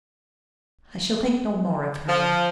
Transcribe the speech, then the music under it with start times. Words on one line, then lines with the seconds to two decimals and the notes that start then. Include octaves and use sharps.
"I shall think no more of her."
2.08 F3